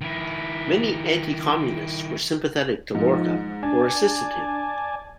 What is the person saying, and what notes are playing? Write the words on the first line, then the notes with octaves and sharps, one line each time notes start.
Many anti-communists were sympathetic to Lorca or assisted him.
D#3 E4
G#2 F3 D#4
D4 D5 G#5 A5